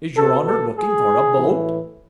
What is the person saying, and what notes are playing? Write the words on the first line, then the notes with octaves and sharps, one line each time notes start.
"Is your honour looking for a boat?"
B2 A4
A4
G#4
A2 E3